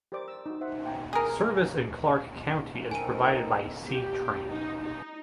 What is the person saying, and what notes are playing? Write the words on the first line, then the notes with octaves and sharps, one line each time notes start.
Service in Clark County is provided by C-Tran.
G4 A#4 C5 D5 D6
E6
D#4 F#4
C5 E5 F#5
E5 G5 G#5 A#5
G#4 A#4
C4 D#4 A4 A#4 G#5 D#7
G4
D#4
D#4